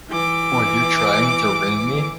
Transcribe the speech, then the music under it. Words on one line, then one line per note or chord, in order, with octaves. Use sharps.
Were you trying to ring me?
E3 D6